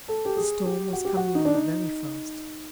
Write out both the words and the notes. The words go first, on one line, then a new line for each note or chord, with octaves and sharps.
The storm was coming on very fast.
A4
G4
G#4
G4
F#4
G4
F#4
D#4
D4
D#4